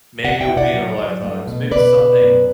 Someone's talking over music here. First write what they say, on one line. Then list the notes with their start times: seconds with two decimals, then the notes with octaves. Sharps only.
Maybe it will be in our lifetimes. Maybe something,
0.24 C3 D5 F#5
0.41 E5 G5
0.49 E4
0.57 D5 F#5
0.74 F#3
0.98 F#3
1.22 A3
1.47 B2
1.71 B2 B4 D5
1.97 B2
2.21 F#2